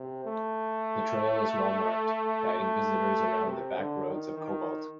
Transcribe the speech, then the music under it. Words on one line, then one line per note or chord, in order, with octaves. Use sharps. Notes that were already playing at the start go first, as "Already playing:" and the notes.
The trail is well marked, guiding visitors around the backroads of Cobalt.
Already playing: C3
A3
A3
C3
D3
D#3
D#3